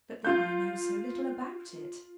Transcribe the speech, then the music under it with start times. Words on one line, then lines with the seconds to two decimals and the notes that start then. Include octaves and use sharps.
But then I know so little about it.
0.24 F4 G6